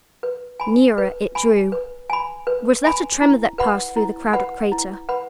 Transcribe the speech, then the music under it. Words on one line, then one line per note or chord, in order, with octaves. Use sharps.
Nearer it drew. Was that a tremor that passed through the crowded crater?
B4
G#5 B5
B4
G#5 B5
B4
G#5 B5
B4
G#5 B5
E4
B4 F#5 B5
E4
B4 F#5 B5
E4
B4 F#5 B5